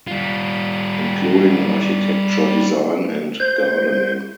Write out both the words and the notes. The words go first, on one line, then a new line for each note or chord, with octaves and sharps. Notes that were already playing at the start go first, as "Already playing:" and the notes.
Including architecture, design and gardening.
G3 F4
C5 G6